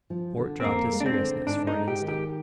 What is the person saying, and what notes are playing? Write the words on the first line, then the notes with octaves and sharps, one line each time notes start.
Fort dropped his seriousness for an instant.
F3
D3
C4
F2 A#3
G#3
D4
C4
D3
G#2 D4
D#4
G#3
G4
D#3
G4